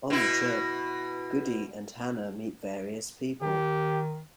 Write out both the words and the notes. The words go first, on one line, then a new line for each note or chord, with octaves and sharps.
On the trip, Goody and Hannah meet various people.
B2 E4
D#3 G4